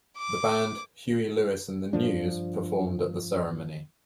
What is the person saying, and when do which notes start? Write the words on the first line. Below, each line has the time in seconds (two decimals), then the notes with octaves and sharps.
The band Huey Lewis and the News performed at the ceremony.
0.18 D6
1.93 G2 F3 D4